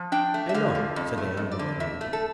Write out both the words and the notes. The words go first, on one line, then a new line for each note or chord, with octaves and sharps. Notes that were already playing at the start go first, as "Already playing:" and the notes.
"I know," said the young lawyer, nodding.
Already playing: F3
D4 G5
A3
E5
D3 F5
F3
F2
A3
F2
D5
D3
F2 E5
A3
A4